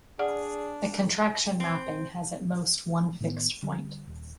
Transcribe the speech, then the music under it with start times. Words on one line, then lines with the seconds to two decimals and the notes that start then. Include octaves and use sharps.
A contraction mapping has at most one fixed point.
0.19 D4 G#4 D5 F#5 F6
1.60 C4
3.21 A2 D#3 B3
3.63 D3 G3
4.07 D#1